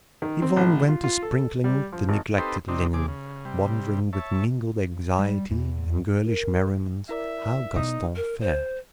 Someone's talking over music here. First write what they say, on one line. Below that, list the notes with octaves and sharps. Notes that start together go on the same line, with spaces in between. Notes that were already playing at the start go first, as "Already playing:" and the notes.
Yvonne went to sprinkling the neglected linen, wondering with mingled anxiety and girlish merriment how Gaston fared.
D#3
C4
A1
F4
F4
A4
G3
F3
G#1
C4 D#4 G4 A4 B4 C5
C3 C4 D4 D#4
C3 G#4 D6
C#3
C3 G3
C#5 E5 A5
G3
E2
A#4
E4 A#4 D5 E5
B2 D#4
A#4
C5